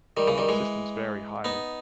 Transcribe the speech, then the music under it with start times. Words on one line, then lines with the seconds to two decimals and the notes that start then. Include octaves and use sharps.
Systems vary highly.
0.17 D#3 G3
0.28 C#3 E3
0.38 D#3 G3
0.49 E3 G#3
1.44 B3 D#4